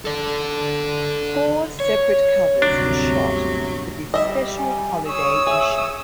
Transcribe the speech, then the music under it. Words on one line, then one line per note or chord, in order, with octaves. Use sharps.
Four separate covers were shot for this special holiday issue.
A4 D5
C#5
G1 D2 C3 F#3 D4
G3 D#5 E5
G#5
C#5 C#6 D#6 E6
G#4 E5